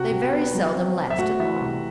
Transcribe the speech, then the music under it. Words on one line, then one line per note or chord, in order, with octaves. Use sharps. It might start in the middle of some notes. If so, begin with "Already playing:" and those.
They very seldom lasted long.
Already playing: C3 F#4 F#5
C3
B3
F#3
C4
C4
E5
A3 F#4 F#5
E3 E5
C3